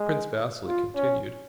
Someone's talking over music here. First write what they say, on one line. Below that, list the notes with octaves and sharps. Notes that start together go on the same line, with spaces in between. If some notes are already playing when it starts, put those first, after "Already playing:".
Prince Vasili continued.
Already playing: G#3
F4
C#4